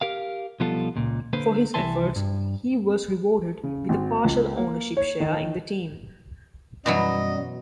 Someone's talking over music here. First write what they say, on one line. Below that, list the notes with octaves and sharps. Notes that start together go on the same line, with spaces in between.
For his efforts, he was rewarded with a partial ownership share in the team.
G4 A#4 F5
B1 F3 G3 B3 F4 A4
C#2 A#2
D3 A#3 B4 C5
C2 E3 E5 G#5 A5 C6
G2
C#3
G#1
C#2
A#3
C#5
D#3
F#2 B2 E3 F#3 G3 B3 D#5